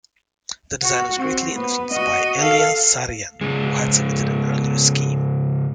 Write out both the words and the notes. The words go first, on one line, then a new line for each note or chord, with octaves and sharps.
The design was greatly influenced by Eliel Saarinen, who had submitted an earlier scheme.
F#4
C4 F#4
B3
F#4 D#5
A4 F5
G#2 C#3 G#3